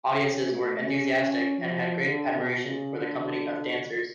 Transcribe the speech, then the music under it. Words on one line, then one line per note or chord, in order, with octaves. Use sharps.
Audiences were enthusiastic and had great admiration for the company of dancers.
C#4
A3
C#4
C#4
F3
D3
B2
C#3
D3